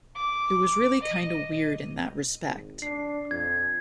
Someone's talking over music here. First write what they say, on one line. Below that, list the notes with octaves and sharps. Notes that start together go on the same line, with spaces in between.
It was really kinda weird in that respect.
D6
D#5
G#1
D4 C7
F2 G#6